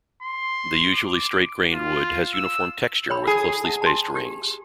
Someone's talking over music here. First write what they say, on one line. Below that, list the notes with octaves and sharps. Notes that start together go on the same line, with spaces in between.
The usually straight-grained wood has uniform texture with closely spaced rings.
C6
D6
F4
E6
C#5 G5 B5
G#4
F#5 A5
A5 C6
G4